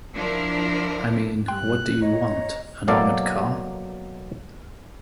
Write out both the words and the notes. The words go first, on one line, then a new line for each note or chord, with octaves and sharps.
I mean, what do you want, an armoured car?
F3 D4 E4 A#4
G2 G5 C6 F#6
C#5 D#5 A#5
B2 F#3 A#3 A4 D5 F5